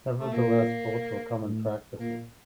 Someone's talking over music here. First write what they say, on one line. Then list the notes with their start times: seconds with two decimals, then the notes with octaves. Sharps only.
Nevertheless, both were common practices.
0.19 A3
0.32 A#2 A#3
1.43 A2
1.99 A#2 A#3